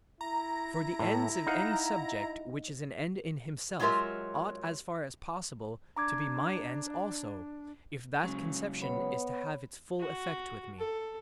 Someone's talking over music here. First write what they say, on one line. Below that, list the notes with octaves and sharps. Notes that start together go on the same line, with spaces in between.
For the ends of any subject which is an end in himself ought as far as possible to be my ends also, if that conception is to have its full effect with me.
E4 A#5
A2
D#4 F5 F#5
F#3 G#3 F4 G4 A#4 E5
D4 A#5 D6 G#6
C#3 F#3 G#3 C#4
B3 C#5 B5
F#4
A4